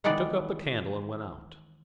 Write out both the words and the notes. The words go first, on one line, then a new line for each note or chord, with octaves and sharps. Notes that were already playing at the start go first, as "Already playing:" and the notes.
He took up the candle and went out.
D#3 E3 G#3 B3 D5